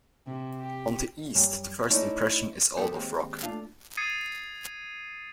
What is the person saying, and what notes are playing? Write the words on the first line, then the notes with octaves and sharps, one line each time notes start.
On the east, the first impression is all of rock.
C3
G4
F#2 G3
A3 C#4 D#4 E4 D5 D#5
C2 F2 B3 G4 A4 C5
D#2 G#3 C4
A3 D4 F4 F5
D#6 G#6 A6 C7 C#7 D#7